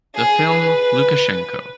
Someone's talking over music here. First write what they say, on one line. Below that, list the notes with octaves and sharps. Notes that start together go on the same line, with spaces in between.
The film ‘Lukashenko.
G#4
B4